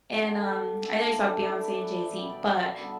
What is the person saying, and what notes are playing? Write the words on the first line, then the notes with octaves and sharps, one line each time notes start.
And, um, I know you saw Beyoncé and Jay-Z, but
D3 B3 G4
D3 A3 A4
G4
G4
E4
D4
D4
A2 E3 G3 E4
E5
D5
B4
B4
E5
B2 G3 B3
D5
E5
D3 G3 B3